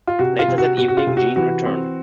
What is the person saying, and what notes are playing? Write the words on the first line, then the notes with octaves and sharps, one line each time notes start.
Later that evening, Jean returns.
F4
C3 F#4
F4
C3
F#4
C3 F#4
F#4
F4
C3
F#4
E3 F#4
C4